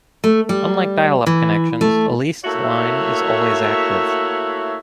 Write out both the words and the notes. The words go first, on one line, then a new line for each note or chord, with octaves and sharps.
Unlike dial-up connections, a leased line is always active.
A3
G3
E3
A3
A3 A#3 E4 F#4 C#5 E5